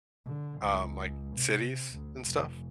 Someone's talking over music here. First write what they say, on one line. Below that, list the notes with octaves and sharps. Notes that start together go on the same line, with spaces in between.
um, like, cities and stuff
D3
C#2
C3
D2
F1